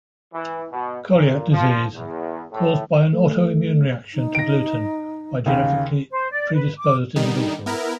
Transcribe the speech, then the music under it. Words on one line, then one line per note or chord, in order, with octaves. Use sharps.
Coeliac disease - caused by an autoimmune reaction to gluten by genetically predisposed individuals.
E3
B2
A#2
F3
E2
A2
A3
D#4
A#6 D7
D#2 C#3 F5
C5
D5
B4
D6
D3 D#3 G3 D#4
B3 E4 A#4